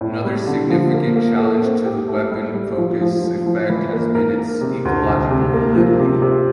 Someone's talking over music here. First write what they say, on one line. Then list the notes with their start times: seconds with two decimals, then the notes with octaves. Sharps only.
Another significant challenge to the weapon focus effect has been its ecological validity.
0.01 A2
0.25 G3
0.47 D3
0.70 F3
0.94 A#3
1.16 A#3
1.39 A4
1.62 C4
1.86 G4
2.08 A3
2.31 G3
2.54 G3
2.78 F3
3.01 F3
3.24 F3
3.46 F3
3.70 E3
3.93 A#3
4.15 A#4
4.39 A#4
4.61 C3
4.85 D2
5.08 C2
5.30 C3
5.54 A#3
5.76 F3
6.00 C3
6.22 C3